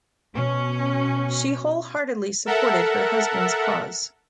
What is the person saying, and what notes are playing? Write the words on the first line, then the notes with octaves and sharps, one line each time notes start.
She wholeheartedly supported her husband's cause.
B2 C#4
A4 A#4 E5 F#5